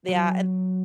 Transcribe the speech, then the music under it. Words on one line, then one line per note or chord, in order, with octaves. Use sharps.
Yeah, and
F#3